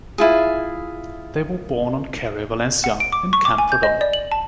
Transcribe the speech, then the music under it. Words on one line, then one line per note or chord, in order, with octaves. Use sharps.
They were born on Carrer València, in Camprodon.
E4 F4 G#4
F#5
D7
D6
C#6
D6
G#5
G6
D#5
D5
F#7
A5